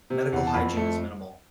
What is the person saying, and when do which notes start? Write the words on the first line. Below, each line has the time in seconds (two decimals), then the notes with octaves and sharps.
Medical hygiene is minimal.
0.10 C3
0.33 E2
0.47 A5
0.54 F2 B5
0.77 A3